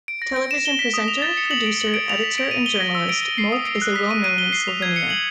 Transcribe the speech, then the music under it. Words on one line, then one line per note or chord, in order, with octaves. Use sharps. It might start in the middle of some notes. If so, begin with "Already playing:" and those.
Television presenter, producer, editor and journalist, Molk is a well known in Slovenia.
D7
A#6
D7
E7
G7
B6
D#6
F7
A6
C#7
F#7
D7
F#7
D7
F7
B6
D7
D#7
G7
A#6
E6
D7
G7
C7
D#6
D7
F#6
B6
D#7
D#7
G7
C7
F7
G#6
C#7
F#7